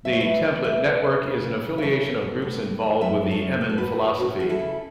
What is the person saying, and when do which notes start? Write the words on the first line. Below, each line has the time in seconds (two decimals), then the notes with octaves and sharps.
"The Template Network", is an affiliation of groups involved with the Emin philosophy.
0.05 A3 E5
0.13 C#5
0.21 A3 B4 E5
0.44 E2
0.64 E2 B4 E5
0.84 E3
1.04 E2
1.23 C#3
1.43 E3
1.63 C#3
1.78 E5
1.82 E3 A4 C#5
2.03 E3
2.23 B3
2.42 A2
2.62 A2
2.82 E3
3.01 F#2 B4 E5
3.21 F#2
3.31 A4 C#5
3.41 F#2
3.61 E2 B4
3.70 A4
3.78 E2 F#4 B4
4.00 E2
4.20 C#4 F#4
4.39 C#4 F#4
4.49 E4 A4
4.59 C#3